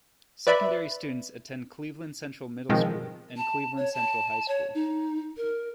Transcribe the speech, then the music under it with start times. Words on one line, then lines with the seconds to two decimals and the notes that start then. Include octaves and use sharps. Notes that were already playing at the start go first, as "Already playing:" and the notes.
Secondary students attend Cleveland Central Middle School and Cleveland Central High School.
0.47 B4 D5 E5 B5
2.69 B2 D#3 F3 G#3 C4
3.37 A5
3.77 C#5
3.94 A5
4.48 C#5
4.75 D#4
5.37 A#4